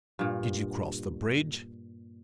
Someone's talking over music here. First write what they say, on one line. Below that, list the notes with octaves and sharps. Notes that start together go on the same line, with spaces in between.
"Did you cross the bridge?"
G2 A#2